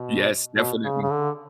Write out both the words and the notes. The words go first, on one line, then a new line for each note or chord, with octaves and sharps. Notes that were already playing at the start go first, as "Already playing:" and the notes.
Yes, definitely.
Already playing: B2
B2
C#3
C#3
D3